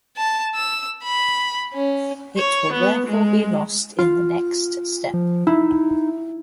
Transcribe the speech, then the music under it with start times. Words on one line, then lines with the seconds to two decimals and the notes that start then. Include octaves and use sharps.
It will therefore be lost in the next step.
0.17 A5
0.55 E6
1.03 B5
1.74 C#4
2.37 C#5
2.72 B3
3.07 G#3
3.98 F4
5.14 F3
5.47 D#4 E4